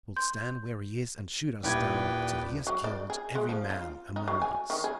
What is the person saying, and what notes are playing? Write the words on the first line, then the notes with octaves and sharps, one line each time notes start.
He will stand where he is and shoot us down till he has killed every man among us.
C6 G6
D#1 E4 B4 D5 G5 G#6
F#3
D5
G#4
G#3
F3
F4
D#4
F#3
G#5
D#3
G#4